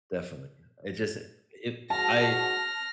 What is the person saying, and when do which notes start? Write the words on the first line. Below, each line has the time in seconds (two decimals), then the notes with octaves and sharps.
Definitely. It just, it if I
1.90 G#2 F#4 A5 F6 A#6